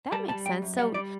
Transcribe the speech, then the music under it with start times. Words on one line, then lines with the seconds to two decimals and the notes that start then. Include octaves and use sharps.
That makes sense, so
0.12 G3 A5
0.29 G3 A5
0.46 F#2 G5
0.62 F#2
0.79 G3 F#5
0.94 G3 D5